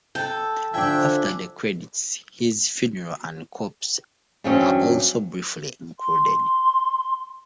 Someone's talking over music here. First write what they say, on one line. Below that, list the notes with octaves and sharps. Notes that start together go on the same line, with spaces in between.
After the credits, his funeral and corpse are also briefly included.
A4 G5
D3 F3 D4 E5 G5 G#5
E2 G2 F#3 C4 C#4 D#5
C6